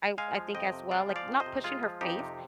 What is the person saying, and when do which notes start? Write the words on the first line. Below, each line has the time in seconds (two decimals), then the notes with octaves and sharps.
I've I think, as well, like, not pushing her faith,
0.18 G#3 F5 G#5
0.36 F3
0.54 F2 D#5 G5
0.73 C3
0.91 G#3 D5 F5
1.09 F3
1.16 D5 F5
1.28 F2
1.40 C5 D#5
1.46 C3
1.64 G#3 F4 G#4
1.83 F3
2.01 F2 D#4 G4
2.19 C3